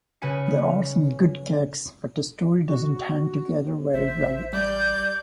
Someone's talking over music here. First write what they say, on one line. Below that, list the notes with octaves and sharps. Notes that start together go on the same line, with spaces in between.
There are some good gags, but the story doesn't hang together very well.
C#3 C#4 B4 G#5 C#7
F#4
A1 C5 E5
G3 D5 G6